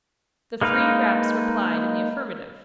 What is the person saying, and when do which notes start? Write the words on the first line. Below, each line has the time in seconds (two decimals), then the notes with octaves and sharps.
The three raps replied in the affirmative.
0.61 G#3 A#3 D#4 B4 F5